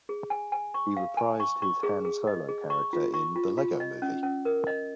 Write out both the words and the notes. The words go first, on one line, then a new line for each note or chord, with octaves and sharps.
He reprised his Han Solo character in "The Lego Movie".
G#4
G#5
G#5
C#6
F5
G#5
C#6
C#6
G#4
G#4
D#5
G#4
C#6
F4
C#6
F4
F4
D#5
C#4
C#4
A#4
D#5